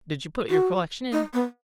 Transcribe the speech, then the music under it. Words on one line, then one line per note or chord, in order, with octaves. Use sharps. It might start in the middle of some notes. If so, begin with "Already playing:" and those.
"Did you put your collection in?"
F#4
D#4
B3